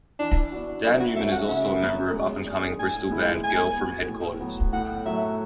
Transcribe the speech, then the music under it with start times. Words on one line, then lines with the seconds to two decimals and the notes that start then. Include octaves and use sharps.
Dan Newman is also a member of up-and-coming Bristol band Girl From Headquarters.
0.19 E3 D4
0.52 B3 D4 F#4
0.84 F#3 E4
1.00 F#4
1.16 A3 C#4 F#4 E5
1.32 F#5
1.48 C#3 E5
1.82 F#3 B3
2.14 G#3
2.46 D4 G#4
2.79 A2 G#5
3.10 G#3 B3 E4
3.43 G#3 G#5
3.75 B3 F#4
4.08 A2
4.40 F#3 B3 F#4
4.73 A2 F#5
5.06 F#3 A3 E5